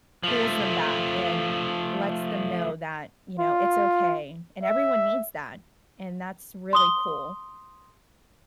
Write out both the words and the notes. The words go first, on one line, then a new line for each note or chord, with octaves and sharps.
pulls them back and lets them know that, you know, it's okay, and everyone needs that, and that's really cool.
F3 A3
F4
E5
C6 D#6 G7